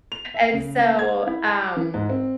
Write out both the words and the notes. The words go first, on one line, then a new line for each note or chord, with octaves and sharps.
And so, um,
F7
E5
C#3
A#3
G#6
E4
A5
D6
E3
G#2
C4